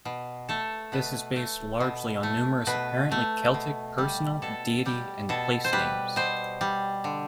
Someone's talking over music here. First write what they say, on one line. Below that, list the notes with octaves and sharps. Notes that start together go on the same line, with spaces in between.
This is based largely on numerous apparently Celtic personal, deity, and place names.
B2
A3 A4
B2 B4
A3
B2
A3
B2 B4
A3
B2
G3
B2 A4
G3 G4
B2 A4
C5
G3 B4
B2 C5
G3
D3